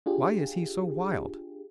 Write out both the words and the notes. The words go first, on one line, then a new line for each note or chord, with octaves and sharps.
"Why is he so wild?"
D4 F4 G4 G#4